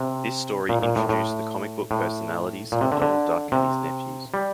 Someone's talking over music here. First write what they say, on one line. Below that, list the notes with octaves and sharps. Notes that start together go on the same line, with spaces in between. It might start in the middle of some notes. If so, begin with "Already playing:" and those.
This story introduced the comic book personalities of Donald Duck and his nephews.
Already playing: C3
A#2
A#2
A2
A2
A2
A#2
C3
D3
D3
C3
G3